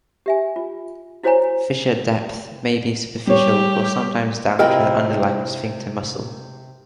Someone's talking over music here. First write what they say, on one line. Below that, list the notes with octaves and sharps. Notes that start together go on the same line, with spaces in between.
Fissure depth may be superficial or sometimes down to the underlying sphincter muscle.
G4 E5 G#5
F4
E4 F#4 C5 C#5 G#5 A#5
G3 G4 C#5
C3 E4 F4 A#4 D#5 G5